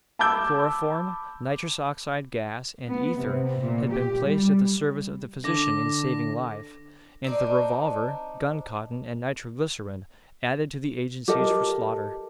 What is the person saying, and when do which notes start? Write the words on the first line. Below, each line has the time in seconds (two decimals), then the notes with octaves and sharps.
Chloroform, nitrous oxide gas, and ether had been placed at the service of the physician in saving life, and the revolver, guncotton, and nitroglycerine added to the agencies for slaughter.
0.19 A5 B5 D6 E6 G6
2.87 B3
3.21 C3
3.59 A#2
3.91 G4
4.26 G3
5.44 D3 D6 A#6
7.24 C4 D4 D#4
11.28 G4 A4 A#4 D#5